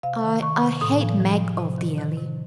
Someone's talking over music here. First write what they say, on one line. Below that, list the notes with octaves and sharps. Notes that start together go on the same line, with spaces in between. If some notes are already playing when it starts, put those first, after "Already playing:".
I--I hate Mag of the Alley.
C3 F5
D#3
D#3 C#6
C3
A2 D#6
F3
F3
A2
C3
D#3
D#3
C3